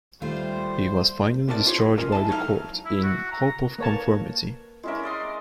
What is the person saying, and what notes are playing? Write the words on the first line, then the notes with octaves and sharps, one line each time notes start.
He was finally discharged by the court in 'hope of conformity'.
D#2 G3 A3 F4 C5
C2 C3 A#3 D4 F4 D5
F4 G4 C5 C#5
B1
C#4 F4 A#4 D#5
E4 D#5 G#5 A5
F#3 A3 D#4 G4 F5 A#5
E4
F#4
A#5
A#3 A#4 B4 C#5 A5
G#3 C#4 E4 A#4 E5
D5 D#5 C6